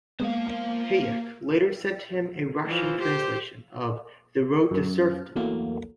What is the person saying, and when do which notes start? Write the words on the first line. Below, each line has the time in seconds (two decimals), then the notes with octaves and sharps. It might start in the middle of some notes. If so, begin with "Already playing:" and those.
Hayek later sent him a Russian translation of "The Road to Serfdom".
0.20 G#3 A#3 B3 C5 F5
2.65 E3 F3
3.00 G4 C5
4.71 F#2
5.36 E2 F#3 A3 A#3